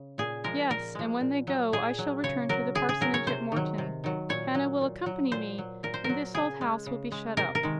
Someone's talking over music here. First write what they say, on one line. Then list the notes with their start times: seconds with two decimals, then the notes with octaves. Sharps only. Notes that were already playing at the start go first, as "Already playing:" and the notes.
"Yes; and when they go, I shall return to the parsonage at Morton: Hannah will accompany me; and this old house will be shut up."
Already playing: C#3
0.18 A#2 G#4
0.44 F3 G#3 A#4
0.70 A#2 A#4
0.95 F3 G#3
1.21 A#2
1.47 F#3
1.72 A#2 G#4
1.98 F#3
2.24 C#3 C#5
2.49 F#3 A#4
2.75 C#3 G#4
2.89 G#4
3.01 F#3 A#4
3.14 C#5
3.27 C3 C5
3.52 D#3 F#3
3.78 C3
4.04 D#3 F#3
4.29 A#2 C#5
4.55 F#3
4.81 A#2
5.06 F#3
5.32 A#2 C5
5.58 F#3
5.83 A#2 A#4
5.94 C5
6.04 F#3 A#4
6.34 C#3 G#4
6.61 G#3
6.86 C#3
7.12 G#3
7.37 C3 A#4
7.55 A#4
7.63 D#3 G#3